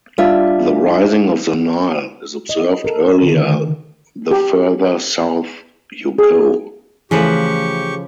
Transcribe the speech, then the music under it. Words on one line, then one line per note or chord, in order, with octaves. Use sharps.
The rising of the Nile is observed earlier the further south you go.
G3 D4 F4 E5
D#5
A4 A#4
D3 D#3
G4
G#4
C#3 E3 F3 A3 G4 G#4 B4 C#6